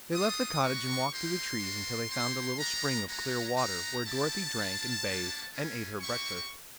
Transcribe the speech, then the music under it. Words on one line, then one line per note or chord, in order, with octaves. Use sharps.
They left the cottage and walked through the trees until they found a little spring of clear water, where Dorothy drank and bathed and ate her breakfast.
A3 D4 F4 D#6
B3 D#4 F#4 C#6
G3 A#3 D#4 G4 C6
A#3 D4 F#4
C4 E4 G4 C6
G3 B3 D4 A#5
G#3 C#4 F#4 A#5
C4 D#4 F#4 A#5
C4 E4 G4 A5
A#3 D4 F4
G3 A#3 D4 F#4
A3 C#4 F4 G#5
C4 E4 G4 C#6